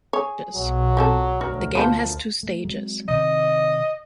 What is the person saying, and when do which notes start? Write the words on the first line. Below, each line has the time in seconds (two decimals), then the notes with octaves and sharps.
The game has two stages.
0.13 G#4 C#5
0.54 B1 F#3
0.97 F3 C4 A4
1.41 D2 F#4 A#4
1.75 F3 B3 B4 C5
2.43 A3
2.65 F#3 G#3 C4
3.08 C3 D#3 D#5